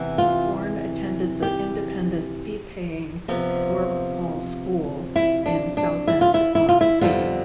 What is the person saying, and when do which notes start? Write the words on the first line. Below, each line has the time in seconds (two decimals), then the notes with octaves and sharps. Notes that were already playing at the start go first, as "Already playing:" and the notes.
Bourne attended the independent fee-paying Thorpe Hall School in Southend-On-Sea.
Already playing: C3 E3 B3
0.18 F4
1.42 G4
3.28 C3 F3 B3
5.16 E4
5.46 D4
5.77 D4
6.08 E4
6.21 F4
6.34 E4
6.55 E4
6.69 F4
6.81 E4
7.01 F2 D3 G3 B3 F4